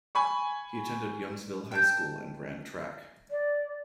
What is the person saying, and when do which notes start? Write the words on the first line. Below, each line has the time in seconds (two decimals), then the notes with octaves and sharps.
He attended Youngsville High School and ran track.
0.15 G#5 B5 C#6
1.72 G5 A5 G6
3.31 D5